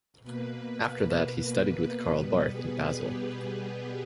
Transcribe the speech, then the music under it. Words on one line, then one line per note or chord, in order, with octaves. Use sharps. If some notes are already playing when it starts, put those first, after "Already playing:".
After that he studied with Karl Barth in Basel.
B2 A#3 B4
B2 G3 B3 B4
G#4
G4